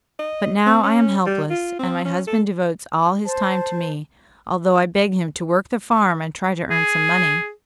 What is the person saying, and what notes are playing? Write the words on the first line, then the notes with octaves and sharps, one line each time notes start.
But now I am helpless, and my husband devotes all his time to me, although I beg him to work the farm and try to earn some money.
D#5
C4
C#4
G3
F4
C4
C#4
A4
C5 A5
G#4